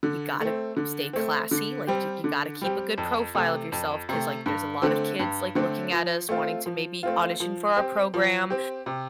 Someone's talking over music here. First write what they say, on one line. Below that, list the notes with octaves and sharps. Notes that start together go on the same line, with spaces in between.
you gotta stay classy," like, "you you gotta keep a good profile of yourself 'cause," like, "there's a lot of kids," like, "looking at us wanting to maybe audition for our program,
D3
A3 C4
D3
A3 C4
D3
G3 C4 G4
D3
G3 C4 G4
F2
C3 A3
F2
C3 A3
G2
D3 A3 C4
G2
D3 A3 C4
F3
A3 C4 F4
F3
A3 C4 F4
F3
C4 G4
F3
C4 G4
C3